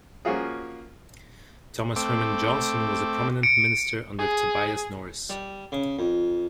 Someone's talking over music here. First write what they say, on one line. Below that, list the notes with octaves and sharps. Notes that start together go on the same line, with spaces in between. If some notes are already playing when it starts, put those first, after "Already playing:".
Thomas Herman Johnson was a prominent minister under Tobias Norris.
F3 A#3 C#4 F4 F#4 G#4
A3 C4 D6
C#7 D7
G#4
G3
C#3
F2